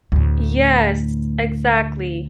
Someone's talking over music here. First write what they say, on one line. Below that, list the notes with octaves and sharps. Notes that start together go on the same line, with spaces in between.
Yes, exactly.
D2 A2